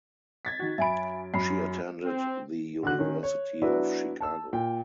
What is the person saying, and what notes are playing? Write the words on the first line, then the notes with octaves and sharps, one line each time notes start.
She attended the University of Chicago.
G#6 A6 B6
D#3 F#4
F#2 E5 G#5 B5 D7
F#2 B5 C7
C4
D3 F#4 F#6
D#3 C#4
C#5
F#3 B3 D4 E4 F#4
A5 E6
A#2 G5